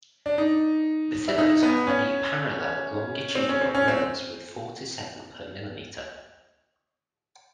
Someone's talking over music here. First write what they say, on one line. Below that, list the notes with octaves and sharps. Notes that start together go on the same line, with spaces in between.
The phyllodes have many parallel longitudinal nerves with four to seven per millimetre.
D4
D#4
E4
D#4
B3
C#4
C4
C#4
C4
C#4
C4